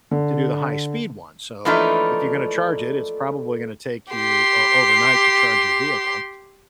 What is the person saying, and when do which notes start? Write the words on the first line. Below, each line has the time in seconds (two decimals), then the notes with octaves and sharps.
to do the high-speed one, so if you're gonna charge it, it's probably gonna take you, uh, overnight to charge your vehicle."
0.11 D3
1.65 E3 F3 A3 A#3 D4 D#4
4.13 G4 C6